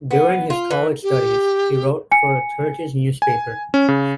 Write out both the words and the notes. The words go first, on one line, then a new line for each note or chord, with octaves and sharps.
During his college studies, he wrote for a Turkish newspaper.
B3
F4
E3
G4
G#5 C#7
G#5
C#4
C#3